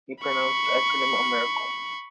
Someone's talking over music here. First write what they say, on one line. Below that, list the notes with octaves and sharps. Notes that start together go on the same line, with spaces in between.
He pronounced the acronym, a miracle.
B5 C#6